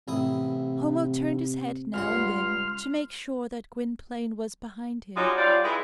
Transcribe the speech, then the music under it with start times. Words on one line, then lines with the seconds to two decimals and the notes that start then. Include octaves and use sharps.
Homo turned his head now and then, to make sure that Gwynplaine was behind him.
0.08 A1 C3 E4 D#6
1.94 C#2 G2 F#5 C6 F6
5.17 G3 G#3 C#4 D#4 F4 F#4
5.38 G3 F4 D5
5.64 G#3 E4 B4